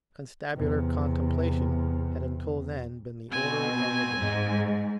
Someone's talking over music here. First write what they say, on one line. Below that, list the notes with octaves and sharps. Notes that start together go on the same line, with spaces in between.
Constabular contemplation had until then been the order of the day.
E2 C3
B2 C4 G#5
G#2